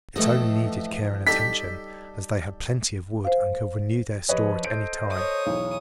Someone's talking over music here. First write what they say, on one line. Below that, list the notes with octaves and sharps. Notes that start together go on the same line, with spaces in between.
It only needed care and attention, as they had plenty of wood and could renew their store at any time.
A2 E3 F3 A3 D#5
G3 D#4 A4 D5 G5 B6
C5 F5
F3 G4 B4 C#5 D#5
A4 C5 D#5 D7
C#5 D#6
B1 E2